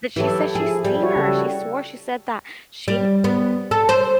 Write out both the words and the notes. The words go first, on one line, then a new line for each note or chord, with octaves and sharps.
That she said she's seen her. She swore, she said that she
E3 F#3 E4 G4 A4
F3 E4 G#4
G3
E4 F#4 C#5
C#3 A4
G3
B3
A4
C5